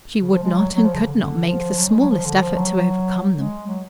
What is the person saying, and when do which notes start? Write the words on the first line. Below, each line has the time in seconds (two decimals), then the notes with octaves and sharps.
She would not and could not make the smallest effort to overcome them.
0.22 C#3
0.32 F3
0.43 G#3
0.53 F#3
0.75 F#3
0.85 F3
0.95 C#3
1.06 D3
1.17 D3
1.48 F3
1.78 F#3
1.89 G#3
2.00 F#3
2.10 F3
2.26 D3
2.42 F3
2.58 F#3
3.35 G#3
3.67 F#3